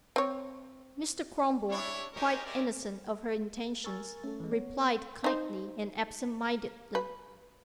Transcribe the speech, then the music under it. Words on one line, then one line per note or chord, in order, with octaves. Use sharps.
Mr. Kronborg, quite innocent of her intentions, replied kindly and absent-mindedly.
C4 C#5
D4 E4 C#5
D#4 G4 G#4 A#4 C5 C#5
G#3 C#4 G4 A#4 D5 E5
A#4 G#5 C#6 E6 A6
A3 C#4 A4
E3 G#3
B3 C#5
D#4 C5
B4